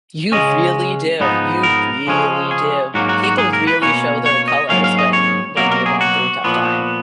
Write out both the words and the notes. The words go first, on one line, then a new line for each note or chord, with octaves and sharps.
you really do. You really do. People really show their colors when, when you're going through a tough time.
C#3 G#3 C#4 D#5
G#2 F3 B3 D#4
A#4
C#3 F3 G#3 C#4
G#4
G#2 F#3 A#3 F#4
F#4
F#4
G#4
A#4
B4
B2 A#3 C#4 C#5
C#5
D#5
G#2 F#3 A#3 C#4 F5
F5
D#5
C#5
B2 F#3 A#3 A#4
A#4
G#4
F#4
A#2 F3 B3